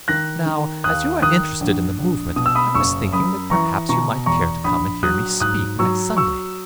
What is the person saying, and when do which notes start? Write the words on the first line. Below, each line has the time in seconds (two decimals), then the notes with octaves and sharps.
Now, as you are interested in the movement, I was thinking that perhaps you might care to come and hear me speak next Sunday.
0.08 D#3 F#6 A#6
0.46 D#3
0.84 D#2 D#6 F#6
1.22 D#3 D#6 F#6
1.60 A#1
1.98 A#1
2.36 B2 D#6
2.46 E6
2.55 B5 D#6
2.75 F#1 C#6 E6
3.13 F#2 B5 D#6
3.50 E3 A#5 C#6
3.89 B2 A#5 C#6
4.26 E2 A#5 C#6
4.64 A#1 B5 D#6
5.03 F#3 D#6 F#6
5.40 G#2 D#6 F#6
5.79 F#3 C#6 E6
6.17 F#3 C#6 E6